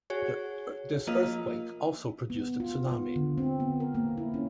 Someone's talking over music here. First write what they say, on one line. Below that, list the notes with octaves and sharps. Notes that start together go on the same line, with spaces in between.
This earthquake also produced a tsunami.
F#4 G#4 C#5
F3 A#3 F4 D#5 F5
B3
F4
B3
D3
C4
B3
A#4
A#3
E4
C#4